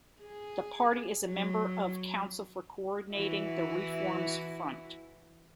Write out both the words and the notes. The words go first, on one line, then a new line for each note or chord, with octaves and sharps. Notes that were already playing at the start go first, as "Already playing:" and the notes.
The party is a member of Council for coordinating the Reforms Front.
G#4
F#3
E3 E4 F#4